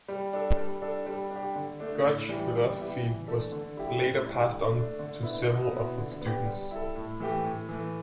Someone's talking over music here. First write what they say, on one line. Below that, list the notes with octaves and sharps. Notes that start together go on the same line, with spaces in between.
Gotch's philosophy was later passed on to several of his students.
G3
D4 A4
G3
D4 A4
G3
D4 G4
D3
A3 D4
A2
E3 G3 E4
G3
B3 E4 G4
E3
A3 D4 A4
D3
G3 E4 G4
A2
G3 E4
D3
A3 D4
D3
B3 E4
B2
B3 E4
D3
B3 G4
G3
E4 A4
A2
E3 A3 G4
A2
E3 A3